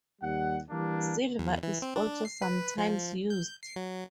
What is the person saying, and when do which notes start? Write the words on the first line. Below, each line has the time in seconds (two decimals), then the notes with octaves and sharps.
Silver is also sometimes used.
0.22 D#2 G3 F#5
0.70 E3 G3 A#3 D4
1.39 E2
1.63 E3
1.82 C4
1.96 D4
2.25 C7
2.42 B4
2.78 F3
3.30 G6
3.63 C7
3.76 F#3